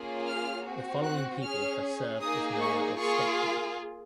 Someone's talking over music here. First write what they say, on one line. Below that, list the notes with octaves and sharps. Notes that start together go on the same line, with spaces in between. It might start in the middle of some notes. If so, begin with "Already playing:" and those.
The following people have served as mayor of Stettler.
Already playing: A#3 C#4 F4 G#4
F6
C4 F#4
F#6
C#4 G#4 F6
A#3 D#4 G#4 D#6
C#6
A#3 F4 G#4 C#6